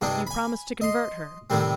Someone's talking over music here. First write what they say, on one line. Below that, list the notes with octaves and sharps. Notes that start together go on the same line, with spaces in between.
"You promise to convert her?"
G2 C3 G3 D4 D#4
G#5 B5
D#5 C6
A2 C3 D#3 G3 C4